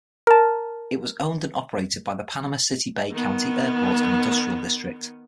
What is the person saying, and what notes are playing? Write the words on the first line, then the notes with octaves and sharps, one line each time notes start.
It was owned and operated by the Panama City-Bay County Airport and Industrial District.
A#4 A5
D#3 B3